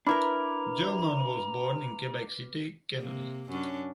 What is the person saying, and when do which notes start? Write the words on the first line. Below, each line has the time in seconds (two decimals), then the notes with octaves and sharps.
Gillman was born in Quebec City, Canada.
0.07 D4 E4 A#4 B4 A#5 B5 D6 F6
3.00 C3 A#3
3.49 F#2 C#4 D4